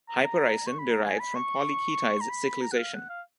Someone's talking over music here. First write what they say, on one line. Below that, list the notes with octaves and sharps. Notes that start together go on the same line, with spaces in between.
Hypericin derives from polyketides cyclisation.
A#5
A#5
C#6
B5
A#5
G#5
B5
C#6
A#5
B5
A#5
F#5
F5
F#5
F5